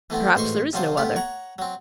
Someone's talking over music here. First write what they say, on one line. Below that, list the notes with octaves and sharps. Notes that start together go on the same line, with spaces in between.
Perhaps there is no other.
E3 A3 B3 C4
A1 G#2 C5 C6 C#6
C3 F3 F#3 F4 C5 D6
A3 B3 F4 G4
C#5 F#5 A#5
F#3 C4